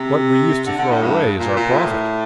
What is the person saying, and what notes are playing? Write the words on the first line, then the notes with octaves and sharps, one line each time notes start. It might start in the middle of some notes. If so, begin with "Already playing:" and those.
What we used to throw away is our profit.
Already playing: C3
D3
D3
A2
G2
A#2
A#2
A2